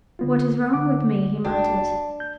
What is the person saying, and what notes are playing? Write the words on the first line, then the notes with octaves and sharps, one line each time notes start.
"What is wrong with me?" he muttered.
D3 B3 F4
D3 F#5 D6
C2 D4 F#4 G5
G6